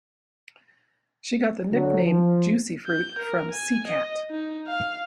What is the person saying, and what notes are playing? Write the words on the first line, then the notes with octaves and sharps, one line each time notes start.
She got the nickname "Juicy Fruit" from C-Kat.
D3 F#3
F3
G6
A#4
G#5
D#5
D#4
F5